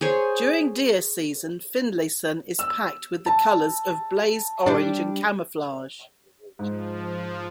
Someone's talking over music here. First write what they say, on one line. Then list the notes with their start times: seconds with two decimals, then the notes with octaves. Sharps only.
During deer season, Finlayson is packed with the colors of blaze orange and camouflage.
0.01 G#4 C5 C#5
2.59 E6
3.26 A5
4.66 G3 D4
6.59 G#2 F3